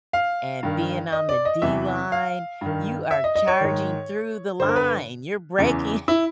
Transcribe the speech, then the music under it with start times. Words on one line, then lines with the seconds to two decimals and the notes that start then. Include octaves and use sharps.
and being on the D line, you are charging through the line, you're breaking
0.13 F5
0.63 G2 D#3
1.12 D#5
1.29 D5
1.45 D#5
1.62 E2 C3 E3 E5
2.12 F5
2.61 G2 D#3
3.11 E5
3.24 D#5
3.36 D#5
3.48 C#5
3.61 G#2 D#3
4.60 G2 D3 C5
4.69 A#4
4.76 B4
5.58 E2 C#3 E3
6.08 E4